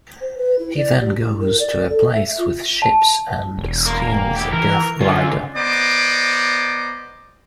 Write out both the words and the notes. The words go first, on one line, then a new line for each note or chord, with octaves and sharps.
He then goes to a place with ships and steals a Death glider.
C5
B4
E4
D5
G4
E4
A#4
D5
A4
E5
F4
A5
E1
A#3
E4 G4
E3 A#4
D3 C#4 F4
B3 C5 D5 D#5 A#5 D6